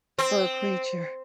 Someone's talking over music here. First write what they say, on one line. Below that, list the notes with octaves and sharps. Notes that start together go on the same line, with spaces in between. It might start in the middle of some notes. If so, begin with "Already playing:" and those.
fur creature,
C4